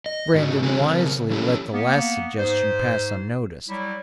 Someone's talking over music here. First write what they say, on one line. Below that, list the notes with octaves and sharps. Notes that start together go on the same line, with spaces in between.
Brandon wisely let the last suggestion pass unnoticed.
D#5
G#2 D3 D#4 F#4
D3 A3 C4 F#4 G#5
C#3 C4 A#4
F3 F#3 C#4 E4 G4 A4
A#3 B3
G#2 C5
F#3 G3 E4